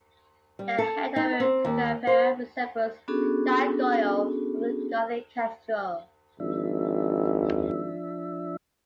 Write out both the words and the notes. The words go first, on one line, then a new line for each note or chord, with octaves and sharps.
The head of the Cucafera resembles a gargoyle of the Gothic Cathedral.
G3
A4
D#4
C4
D#2
C5
B3 C#4 D4 F#4 G#4 A4
G#1 F3 D4 E5